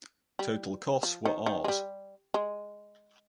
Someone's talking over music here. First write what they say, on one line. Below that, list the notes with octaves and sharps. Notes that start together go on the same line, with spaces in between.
Total costs were Rs.
G3
F3
D#3
D#3
G#3
G3
G#3